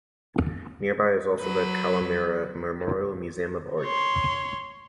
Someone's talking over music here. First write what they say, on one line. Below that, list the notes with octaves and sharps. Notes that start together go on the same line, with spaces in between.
Nearby is also the Kawamura Memorial Museum of Art.
F#3 B4
C#5 C6